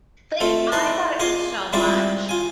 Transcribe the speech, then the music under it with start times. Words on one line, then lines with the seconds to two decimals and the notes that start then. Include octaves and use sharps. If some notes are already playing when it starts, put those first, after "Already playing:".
Like, I thought it was so much,
0.40 A3 C4 F4
0.72 D#4 E4 C5 A5
1.19 F4 G#4 D#5 G#5 C6 D6
1.73 G3 G#3 C4 E4 F4 D5
2.29 F4 G#5